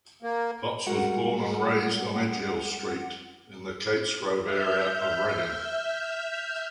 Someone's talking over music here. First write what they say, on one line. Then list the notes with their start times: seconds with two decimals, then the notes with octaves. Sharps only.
Potts was born and raised on Edgehill Street in the Katesgrove area of Reading.
0.23 A#3
0.87 G3 G#3 F#4 A#4 F#5
4.43 E5 F6 G6